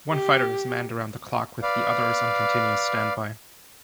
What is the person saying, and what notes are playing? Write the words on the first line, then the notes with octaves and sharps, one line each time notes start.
One fighter is manned around the clock, with the others on continuous standby.
G4
B4 D5 F5